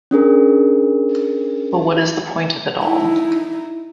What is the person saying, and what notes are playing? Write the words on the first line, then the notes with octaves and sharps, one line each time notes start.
But what is the point of it all?
C#4 D4 G#4 A#4
D#4 E4